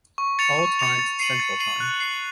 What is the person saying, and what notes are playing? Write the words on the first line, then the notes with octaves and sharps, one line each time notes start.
All times Central time.
C#6
A6 C#7 F7
C#6
A6 C#7 F7
A6
C7 D#7 F#7
A6
C7 D#7 F#7
F#6
C7 F#7